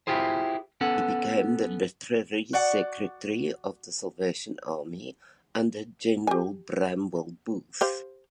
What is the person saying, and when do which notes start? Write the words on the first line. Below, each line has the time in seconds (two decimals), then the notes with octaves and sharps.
He became the literary secretary of The Salvation Army under General Bramwell Booth.
0.07 E4 F4 G4 G#4 C5
0.81 B3 C#4 A4 F#5
2.53 F#4 D5 F#5
6.27 G4 G#5
7.81 G4 C5 F5